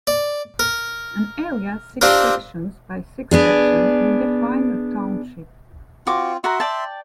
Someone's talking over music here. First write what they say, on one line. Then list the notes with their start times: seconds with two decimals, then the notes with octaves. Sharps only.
An area six sections by six sections would define a township.
0.07 D5
0.59 A#4
2.01 C4 D4 F4 G4 A#4
3.31 B3 D4 G#4
6.07 C4 F4 F#4 D6
6.44 F#4 E5 F#5 A#5 C6
6.60 D5 G5 A5